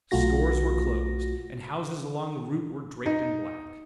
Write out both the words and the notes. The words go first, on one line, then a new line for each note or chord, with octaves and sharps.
Stores were closed, and houses along the route were draped in black.
B1 A3 F4 F#4 A#6
D#4